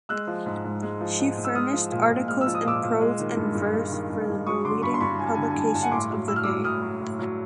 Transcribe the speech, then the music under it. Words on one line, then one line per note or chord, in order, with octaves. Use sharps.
She furnished articles in prose and verse for the leading publications of the day.
G#3 E6 F#6
F3
G#2
G#2
G#3
F3
G#2
G#2
E6
G#3 D#6 F6
F3
A#2
A#2
G#3 F6
E6
F3
D#6
A#2 D6 E6
A#2
G#3
D#3
G2
G2
G#3
D#3
G2
G2
F#3 C#6 D#6
D3 C6 D6
G2 B5 C#6
C6
G2 B5 C#6
F#3 G#5
A5
D3 G#5
A5
G#5
G2 A5
G#5
G2 A5
F#5 G#5
A2 C6 D6
F#3
A2 E6
F6
F#3 D6 E6
A2 D#6 F6
F#3
A2
F#3